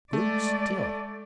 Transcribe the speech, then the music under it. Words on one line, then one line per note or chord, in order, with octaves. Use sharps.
Good, still.
G#3 A3 D5